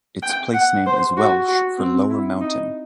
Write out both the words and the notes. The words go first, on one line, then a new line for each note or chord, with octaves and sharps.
Its placename is Welsh for "lower mountain".
G5
F#5
C5
F#4
F#4
C4
E4
D#4